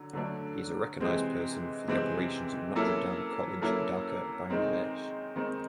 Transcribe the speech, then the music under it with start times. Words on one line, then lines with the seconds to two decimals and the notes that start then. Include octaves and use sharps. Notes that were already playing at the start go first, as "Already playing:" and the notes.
He is a recognized person for the operations of Notre Dame College, Dhaka, Bangladesh.
Already playing: D3 F#3
0.13 D3 F#3 A3 D4
1.00 C3 E3 G#3 C4
1.88 C3 E3 G#3 C4
2.75 F#3 A#3 C#4 E4 A4
3.62 F#3 A#3 C#4 E4 A4
4.50 D#3 G#3 C4 D#4
5.36 D#3 G#3 C4 D#4